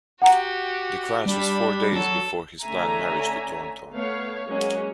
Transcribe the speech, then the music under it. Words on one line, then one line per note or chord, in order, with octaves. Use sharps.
The crash was four days before his planned marriage to Thornton.
F#4 G4 F#5 A#5
G3 D4 B5
F#3 A4
D3 A3 C#4 E5 G#5 A#5
A3 B3 C#5 F5
F#3 G#3 A#3 C#4 C#5